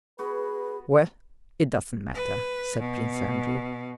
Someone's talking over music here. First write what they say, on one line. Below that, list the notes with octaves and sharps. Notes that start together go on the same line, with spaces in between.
"Well, it doesn't matter," said Prince Andrew.
B3 F#4 G#4 B4
B4
B2